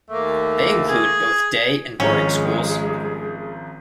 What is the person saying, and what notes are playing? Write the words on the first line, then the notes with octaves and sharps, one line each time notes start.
They include both day and boarding schools.
D#2 A3 A#3
G#4
G#1 F3 G#3 C#4 G#4 A#5